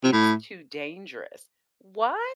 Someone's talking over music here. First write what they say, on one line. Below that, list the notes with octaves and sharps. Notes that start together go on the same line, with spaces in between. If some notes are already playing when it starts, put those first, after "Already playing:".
It's too dangerous." What?
C3
A2